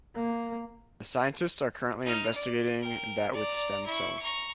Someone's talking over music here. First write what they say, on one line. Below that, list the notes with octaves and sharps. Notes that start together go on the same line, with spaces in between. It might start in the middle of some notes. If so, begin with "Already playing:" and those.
The scientists are currently investigating that with stem cells.
A#3
D#4 F6
D5
A#4 G5
D5 A#5
E4 C#6
A#5 C#6